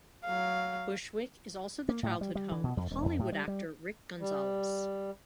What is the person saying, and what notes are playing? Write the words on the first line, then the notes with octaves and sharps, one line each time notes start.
Bushwick is also the childhood home of Hollywood actor Rick Gonzalez.
F#3 F5
A#3
A2
G3
G3
E3
B2
F2
E1
F2
A2
G3
G3
G3